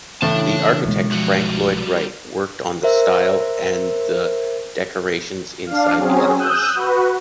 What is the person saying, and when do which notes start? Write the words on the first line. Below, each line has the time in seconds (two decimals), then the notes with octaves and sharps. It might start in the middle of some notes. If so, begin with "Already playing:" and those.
The architect Franck Lloyd Wright worked on the style and the decorations inside the edifice.
0.22 A2 C#3 E3 D4 G5 A5
0.84 B1 G#3
1.12 F3 G3 F#4
2.83 A#4 C5 E5
5.66 D4 F5
5.97 F#3 C4 C#4 G#4
6.35 D#6 E6 F#6 G6
6.75 F#4 B4